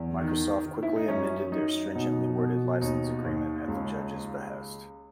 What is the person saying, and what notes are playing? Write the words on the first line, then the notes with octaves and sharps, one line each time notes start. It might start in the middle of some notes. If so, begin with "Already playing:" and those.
Microsoft quickly amended their stringently worded license agreement at the judge's behest.
Already playing: E2
D#3
D#3
E4
D#4
F#2 C#4
F#2 D#4
B2 D#4
B2
D#2 D#4
D#2
C#2